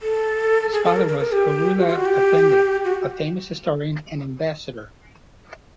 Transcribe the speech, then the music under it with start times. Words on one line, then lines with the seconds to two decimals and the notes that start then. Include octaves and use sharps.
His father was Hayrullah Efendi, a famous historian and ambassador.
0.02 A4
0.73 G#4
0.84 A4
0.96 A#4
1.08 A#4
1.20 A#4
1.32 G4
1.79 F#4
1.88 F4
1.96 F#4
2.05 G4
2.85 F#4